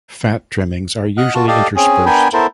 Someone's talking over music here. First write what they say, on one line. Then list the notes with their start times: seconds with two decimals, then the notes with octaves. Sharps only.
Fat trimmings are usually interspersed.
1.17 D#5 F#5 F6 F#6
1.35 F4 F#4 A5
1.48 G4 A4 D5 D#5 F5
1.76 C4 C#4 G#4
2.06 B3 D4 A#4 G5 G#5 B5
2.33 B3 E4 A4 A#4 C5